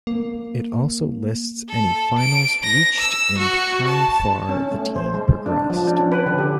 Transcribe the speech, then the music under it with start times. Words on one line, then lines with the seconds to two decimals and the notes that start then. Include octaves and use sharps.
It also lists any finals reached and how far the team progressed.
0.07 A#3
1.68 A4
2.19 D7
2.64 A#6
2.98 E6
3.39 F#4
3.88 A5
4.49 C#4
4.71 A3
4.96 C5
5.14 G#3
5.46 D4
5.70 F3
5.87 D4
5.99 C#4
6.12 B4
6.26 D3
6.38 G4